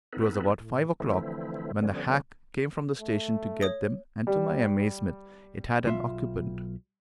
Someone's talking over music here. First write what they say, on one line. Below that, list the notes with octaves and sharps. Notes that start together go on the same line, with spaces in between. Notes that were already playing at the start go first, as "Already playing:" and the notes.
It was about five o'clock when the hack came from the station to get them, and, to my amazement, it had an occupant.
B3 C4 D#4 E4 A4 B4
A2
D3 E3 F3 A3 C4 E4
D3 F3 G3 B3 C#4
A3
C#5 D#6 A#6
G3
B1 F4 E5